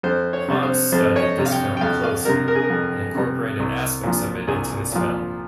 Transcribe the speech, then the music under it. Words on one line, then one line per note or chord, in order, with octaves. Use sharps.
Hawks studied this film closely and incorporated aspects of it into his film.
F2 C5
C#5
C3 G3
C5
F2 C5
C#5
D#5
C3 G3
F5
G5
G5
F2 F5
F5
C3 G3 A#4
A#4
G#4
A#4
F2
C3 G3
C2
A#2 F3
C2 G#4
A#2 F3